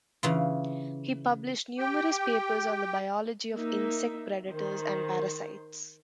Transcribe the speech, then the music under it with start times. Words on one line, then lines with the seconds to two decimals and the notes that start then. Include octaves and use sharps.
He published numerous papers on the biology of insect predators and parasites.
0.23 C#3 E3 F4
1.79 G4 G5
3.52 A#3 D#4 E5
4.50 D#3 C5